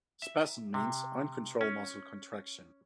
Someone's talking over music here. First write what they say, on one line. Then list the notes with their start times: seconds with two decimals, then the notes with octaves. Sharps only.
Spasm means "uncontrolled muscle contraction".
0.22 E5
0.74 C3
1.61 C#4